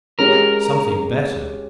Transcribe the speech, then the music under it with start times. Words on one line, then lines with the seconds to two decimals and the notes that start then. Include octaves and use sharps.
Something better!
0.19 G#3 C#4 G4 A#4